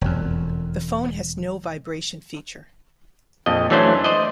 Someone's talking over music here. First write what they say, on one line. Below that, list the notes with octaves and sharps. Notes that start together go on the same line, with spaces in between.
The phone has no vibration feature.
E1 F2
A#1 F2 D#5
E3 F#3 A3 C#4 D4 C5
C5 D5 D#5